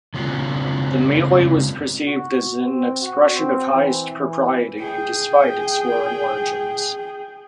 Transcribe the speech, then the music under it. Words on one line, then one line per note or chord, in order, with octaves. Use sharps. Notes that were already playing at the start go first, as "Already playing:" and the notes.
The mili was perceived as an expression of highest propriety despite its foreign origins.
C#3 G#3 C4 F4 F#4
F#4
C4
F#4
C4
E3
E3
G#4 G5